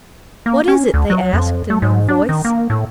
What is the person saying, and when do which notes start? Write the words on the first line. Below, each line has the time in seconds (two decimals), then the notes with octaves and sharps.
"What is it?" they asked, in one voice.
0.46 A#3
0.68 C#4
0.94 D2
1.10 F#3
1.33 F2
1.70 A3
1.82 G#2
2.09 D4
2.29 D#3
2.45 A#3
2.70 A2